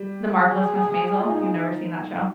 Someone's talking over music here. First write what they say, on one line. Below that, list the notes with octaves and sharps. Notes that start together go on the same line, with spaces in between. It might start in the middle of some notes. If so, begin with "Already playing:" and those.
"The Marvelous Mrs. Maisel"? You've never seen that show?
Already playing: G3 G4
G#4
F4
D#4